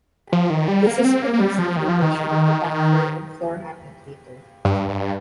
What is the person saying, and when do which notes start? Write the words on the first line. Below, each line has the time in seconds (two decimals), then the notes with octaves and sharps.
This is because the formation of the backfill and floor happened later.
0.33 F3
0.50 D#3
0.68 G3
0.87 A#3
1.05 C4
1.22 A#3
1.33 A#3
1.40 G3
1.58 F3
1.77 D#3
1.89 F3
2.02 D#3
4.65 G2
4.89 G2